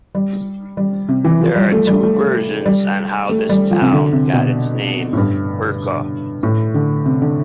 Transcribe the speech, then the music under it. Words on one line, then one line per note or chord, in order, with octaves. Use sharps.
There are two versions on how this town got its name as "Bucay".
G3
G3
C3
E3
F3
G3
A3
G3
A3
G3
A3
G3
F3
C3
D3
C3
B2
A2
G2
A2
D3
C3
D3